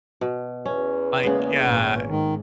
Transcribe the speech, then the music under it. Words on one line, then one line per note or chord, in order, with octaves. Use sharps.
like, uh,
B2
E2 C#4 B4
C#3 G#3 A#3 B3
G#1 A#2 C#4
G#2 D#3